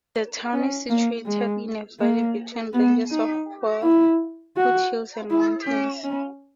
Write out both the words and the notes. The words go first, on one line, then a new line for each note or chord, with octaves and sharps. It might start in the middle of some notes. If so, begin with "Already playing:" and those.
The town is situated in a valley between ranges of foothills and mountains.
C#4
A#3
G#3
A#3
B3
D#4
E4
F#4
E4
C#4
C#4